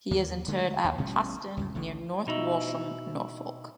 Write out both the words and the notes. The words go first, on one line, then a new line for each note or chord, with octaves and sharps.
He is interred at Paston, near North Walsham, Norfolk.
D#2 E3 A#3
D3 G#3 A3
D#2
A1 B2 G3 C#4
C#2 F#2 A2
A1 D3 D#3
B2 D#4 E4